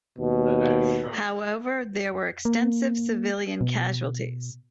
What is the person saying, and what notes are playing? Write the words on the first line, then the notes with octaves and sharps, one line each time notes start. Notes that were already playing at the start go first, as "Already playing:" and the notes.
However, there were extensive civilian casualties.
D#2 B2
A#3
B2